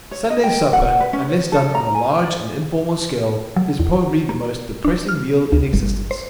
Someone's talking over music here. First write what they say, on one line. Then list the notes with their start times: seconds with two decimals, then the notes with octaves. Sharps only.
Sunday supper, unless done on a large and informal scale, is probably the most depressing meal in existence.
0.11 C#5
0.30 D#5
0.44 G5
0.73 F#5
1.00 B4
1.13 C#4
1.29 C#5
1.52 A4
1.75 A#5
1.95 G#5
2.23 D5
3.56 F#3
3.79 E2
4.29 A#3
4.85 D4
5.09 F6
5.52 D2
5.73 G1
6.11 C5